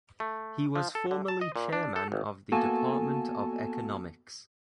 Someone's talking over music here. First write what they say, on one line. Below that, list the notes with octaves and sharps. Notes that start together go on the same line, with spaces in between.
He was formerly chairman of the department of economics.
A3
F3
A4
D3
A5
D#5
A#2
D4
A4
G#1
A#3 B3 F#4 A4 G#5 A5